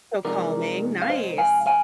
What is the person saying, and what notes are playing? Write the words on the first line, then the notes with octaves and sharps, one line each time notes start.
So calming, nice.
C3 F3 G#3 D#4 A#4 D5
F5
C5 D#5
F5 G#5
F5 G#5